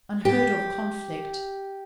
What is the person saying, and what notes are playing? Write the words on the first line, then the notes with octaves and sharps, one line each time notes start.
Unheard-of conflict!
G4